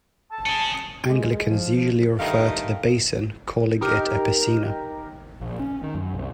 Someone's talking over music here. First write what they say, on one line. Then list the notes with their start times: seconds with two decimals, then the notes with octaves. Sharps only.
Anglicans usually refer to the basin, calling it a piscina.
0.32 A5
0.46 C#4 G#4
1.08 G#3
1.46 F3
2.20 G2 D#3 A3 A#4 D#5 F5
3.81 D#4 G4 A#4
5.41 A#1
5.60 C#4
5.83 D#3
5.95 F#2
6.14 C2